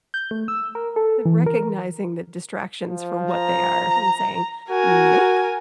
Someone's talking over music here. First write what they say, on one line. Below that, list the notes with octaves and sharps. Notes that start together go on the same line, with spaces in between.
But recognizing the distractions for what they are and saying, "Nope."
G6
A3
E6
A#4
A4
E3
A#4
F3
A#5
F#4 A#4 G#5